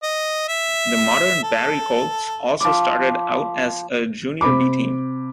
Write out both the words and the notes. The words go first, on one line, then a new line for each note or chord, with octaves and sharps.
The modern Barrie Colts also started out as a Junior B team.
D#5
E5
A4
F3 B5 D6
C3 C5 B5 D6